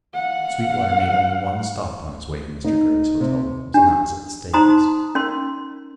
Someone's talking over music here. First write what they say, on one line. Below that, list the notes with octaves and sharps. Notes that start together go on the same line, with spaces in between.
Sweetwater made only one stop on his way to Mr. Grey's hotel rooms, and that was at the stables.
F5 F#5
D#4
C3
D4 G4
D#4 C5 A#5 C6 D#6
C#4 A#4 C6